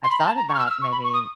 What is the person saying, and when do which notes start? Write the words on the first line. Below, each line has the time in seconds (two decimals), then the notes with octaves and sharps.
I've thought about maybe
0.04 C6
0.11 B5
0.19 A#5
0.26 A5
0.37 A#5
0.49 C#6
0.55 F6
0.59 E6
0.67 F6
0.70 E6
0.82 C#6
0.92 B5
1.04 C#6
1.14 D#6